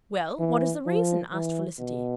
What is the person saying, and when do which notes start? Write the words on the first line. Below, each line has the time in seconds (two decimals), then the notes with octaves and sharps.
"Well, what is the reason?" asked Felicity.
0.39 E3
0.86 F3
1.33 E3
1.80 B2